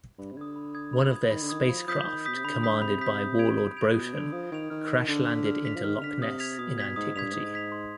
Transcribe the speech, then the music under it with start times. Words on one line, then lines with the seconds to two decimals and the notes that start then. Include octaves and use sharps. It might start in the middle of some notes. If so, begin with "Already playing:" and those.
One of their spacecraft, commanded by warlord Broton, crash-landed into Loch Ness in Antiquity.
0.18 G2 B5
0.32 C3
0.37 D3 D#6 G#6
0.56 B5
0.75 D#6 G#6
0.93 B5
1.13 D#6 G#6
1.31 D#3 B5
1.42 D3
1.50 D#3 D#6 G#6
1.69 F3 B5
1.88 F3 D#6 G6 B6
2.06 D#3 B5
2.25 B2 D#6 G6 B6
2.36 C3
2.44 D3 B5
2.63 D#6 G6 B6
2.82 C3 B5
3.01 D#6 G6 B6
3.20 D#6
3.39 G#6 D7 F7
3.58 D#6
3.77 G#6 D7 F7
3.95 B2 D#6
4.14 D3 G#6 D7 F7
4.32 F3 D#6
4.52 D#3 G#6 D7 F7
4.70 D#3 F6
4.89 B6 F7
5.08 D3 F6
5.27 B6 F7
5.45 F6
5.65 B6 F7
5.76 F3
5.83 D#3 F6
5.98 C3
6.02 D3 B6 F7
6.22 C3 D#6
6.40 G#6 B6 F7
6.59 B2 D#6
6.78 G#6 B6 F7
6.96 G#2 D#6
7.15 G2 G#6 B6 F7
7.34 G#2 D#6
7.54 G#6 B6 F7
7.72 C6